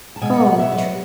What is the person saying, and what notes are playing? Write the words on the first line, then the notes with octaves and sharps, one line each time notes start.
Oh, true.
A5
B2 G#3 B3 G#5
F#5
F#5
B2 F#3 B3 E5
B4
C#5